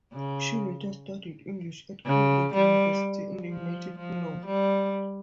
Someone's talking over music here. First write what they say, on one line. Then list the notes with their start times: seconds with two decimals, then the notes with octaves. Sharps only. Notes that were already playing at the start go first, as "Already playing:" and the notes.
She later studied English at Cambridge University in the United Kingdom.
0.13 C#3
2.06 C#3
2.54 G3
3.50 F3
3.98 F3
4.46 G3